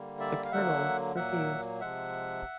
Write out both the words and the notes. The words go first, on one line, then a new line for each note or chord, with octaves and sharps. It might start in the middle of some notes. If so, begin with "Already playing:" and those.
The colonel refused.
Already playing: D3 G3 A#3
D5 E5
F5
D3 F#3 A#3 E5 F#5
A#2 F#3 A#3 E5 F#5
C3 F3 G#3 E5 F#5